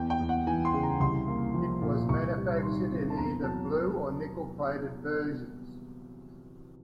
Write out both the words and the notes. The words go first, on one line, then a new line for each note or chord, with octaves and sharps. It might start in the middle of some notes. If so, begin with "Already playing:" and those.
It was manufactured in either blue or nickel-plated versions.
Already playing: E2 G5
G5
E2
F#5
E3 G#5
C6
C#3
A#5
C2 C6
A#3
F3
A#2
C2 C#6
G3
D#3 C6
C3
A5
E2 A#5
F#3 A5